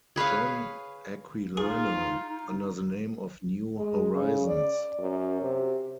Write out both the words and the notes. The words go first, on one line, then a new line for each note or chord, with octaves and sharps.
John Aquilina, under the name of New Horizons.
G#4 B4 C#5 F5
D#4 F4 G#4
G#3
C#3
D5
F#2
C3